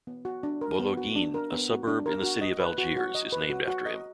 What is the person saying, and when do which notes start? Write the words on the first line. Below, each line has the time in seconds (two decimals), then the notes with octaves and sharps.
Bologhine, a suburb in the city of Algiers, is named after him.
0.07 B3
0.25 F#4
0.43 D4
0.61 A#4
0.80 B3
0.97 F#4
1.16 D4
1.34 A#4
1.52 B3
1.70 F#4
1.87 D4
2.06 A#4
2.24 F#4
2.41 D#5
2.60 B4
2.78 F#4
2.96 F#4
3.15 D#5
3.32 B4
3.50 F#4
3.68 F#4
3.86 D#5